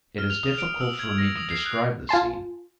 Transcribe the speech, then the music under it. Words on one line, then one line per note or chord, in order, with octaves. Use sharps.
It is difficult for me to describe the scene.
F6
F7
D#6
D7
E6
G#6
A#6
D#6
C7
F#6
F4 G#5 A5 C6